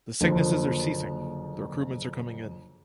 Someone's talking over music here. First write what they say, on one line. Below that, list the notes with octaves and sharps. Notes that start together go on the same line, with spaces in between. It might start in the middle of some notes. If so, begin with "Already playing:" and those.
The sicknesses are ceasing; the recruitments are coming in.
F#1 F2 D3 F3 A#3